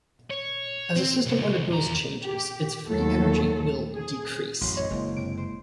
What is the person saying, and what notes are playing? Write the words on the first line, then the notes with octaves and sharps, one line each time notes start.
As a system undergoes changes, its free energy will decrease.
C#5
C4
C2 C#3
E2 A#5
G4
D#2 F#3 A3 A4
G#4
A1 F#2 C6
C#5 D#5
F#1 G#3 A#3 E4
C3 D7
C5